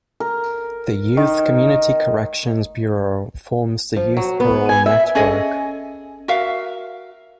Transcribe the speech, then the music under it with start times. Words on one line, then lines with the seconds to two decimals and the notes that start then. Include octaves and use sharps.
The Youth Community Corrections Bureau forms the youth parole network.
0.20 A#4
1.17 D#3
3.96 F3
4.17 F#3
4.40 B3
4.69 G#5
4.86 E5
5.15 C#4 G#4 A4 D#5
6.28 F#4 A#4 E5 F5